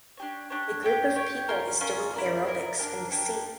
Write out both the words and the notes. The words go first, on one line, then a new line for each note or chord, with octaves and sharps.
A group of people is doing aerobics in the sea.
D4 G4 C#5
D4 G4 C#5
G4 C#5 G5
G4 C#5 G5
C#4 F4 A#4
C#4 F4 A#4
E4 A#4 D5
E4 A#4 D5
A#3 D4 G4 A#4
A#3 D4 G4 A#4